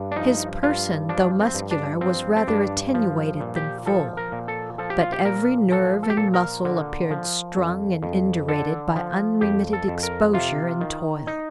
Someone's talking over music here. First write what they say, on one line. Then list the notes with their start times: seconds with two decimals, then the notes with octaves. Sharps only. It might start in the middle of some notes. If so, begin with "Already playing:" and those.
His person, though muscular, was rather attenuated than full; but every nerve and muscle appeared strung and indurated by unremitted exposure and toil.
Already playing: G2
0.12 D4
0.16 F3 D#4
0.63 G2 F4
1.09 F3 D4
1.40 C4
1.54 G2
1.71 D4
2.01 F3 C4
2.36 C4
2.48 G2 D4
2.94 F3
3.40 A#2
3.56 G4
3.86 F3 A4
4.17 A#4
4.32 A#2
4.48 A4
4.78 F3 A4
4.90 G4
5.01 F4
5.12 G4
5.25 A#2 A#4
5.72 F3 A4
6.03 A4
6.10 G4
6.17 A#2 A4
6.34 A#4
6.65 D3
7.11 F3
7.57 F2
8.03 F2
8.48 D3 A4
8.96 F3
9.41 F2 G4
9.73 A4
9.88 F2
10.03 A#4
10.34 C3 F4
10.81 D#3
11.27 D#4